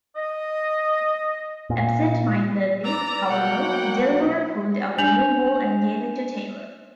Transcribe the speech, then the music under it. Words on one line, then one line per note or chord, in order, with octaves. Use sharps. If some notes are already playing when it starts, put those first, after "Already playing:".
Absentmindedly, however, Delmore pulled out a new ball and gave it to Taylor.
D#5
A#2
B4 D5 A#5 E6
B2 F#3 A#3 F#5 G5
D4 G#5 G6 F7 F#7